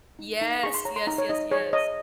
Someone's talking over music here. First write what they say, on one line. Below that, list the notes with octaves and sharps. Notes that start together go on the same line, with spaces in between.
Yes, yes, yes, yes.
D#4
D#4
G#4 C#6
C6
C#5 A#5
C6
D#4 A#5
C#5
D#4 D#5
G#4 C#5
C#5 D#5